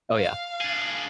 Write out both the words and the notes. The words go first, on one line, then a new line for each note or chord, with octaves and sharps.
Oh, yeah.
F5
D4 G#4